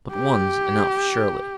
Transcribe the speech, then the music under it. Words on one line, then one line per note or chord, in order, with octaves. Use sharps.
But one's enough, surely.
G4